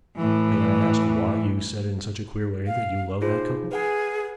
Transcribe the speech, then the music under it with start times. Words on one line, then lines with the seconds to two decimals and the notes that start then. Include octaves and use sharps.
May I ask why you said in such a queer way that you loved that couple?'
0.16 A2 E3
2.67 F5
3.21 D#4 F4 G#4 C5
3.72 G#4 B4 F#5 G#5